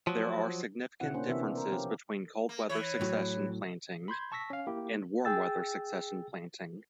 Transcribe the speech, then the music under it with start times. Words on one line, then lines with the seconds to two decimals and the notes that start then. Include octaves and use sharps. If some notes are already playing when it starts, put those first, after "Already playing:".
There are significant differences between cold weather succession planting and warm weather succession planting.
0.07 F3 F#3
1.00 B2 D3 C4 E4 F4 F#5
1.14 A#3 C#4 D4 C5
1.27 C3 E3 B3 G4 E5
1.38 D4
1.55 A#4 C5
1.72 F3 B3 C#4 F4 G4
2.49 A#3
2.69 E3 C#5
3.01 A2 F#3
4.08 B5 C6 G6 G#6
4.32 A5 C#6 E6 A#6 B6
4.50 C#4 F5
4.67 A#3 E4 G4
5.25 G#4 G5 E6 A6